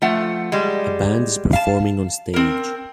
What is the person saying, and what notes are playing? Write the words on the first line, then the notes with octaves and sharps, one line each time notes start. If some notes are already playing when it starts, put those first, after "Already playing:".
A band is performing on stage.
F3 A3 F#5
G3 G#3
F5 A5
C4 A#4